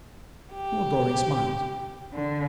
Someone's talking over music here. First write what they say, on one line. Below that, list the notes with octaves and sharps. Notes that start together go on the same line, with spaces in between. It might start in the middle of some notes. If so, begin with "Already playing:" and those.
Lord Loring smiled.
G4
D3